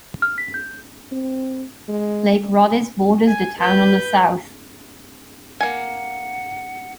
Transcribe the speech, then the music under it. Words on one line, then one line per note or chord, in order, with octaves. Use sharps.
Lake Rhodhiss borders the town on the south.
F6
B6
G6
C4
G#3
G#5
B4 G6
A#3 F#5 G#5